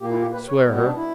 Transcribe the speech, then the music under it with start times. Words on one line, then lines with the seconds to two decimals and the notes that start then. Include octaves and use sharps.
"Swear her."
0.01 A#2 A#3 G4
0.11 E4
0.22 G4
0.33 B4
0.48 C#5
0.64 B2 G3 B3 A#4
0.76 F#4
0.86 D4
0.96 E4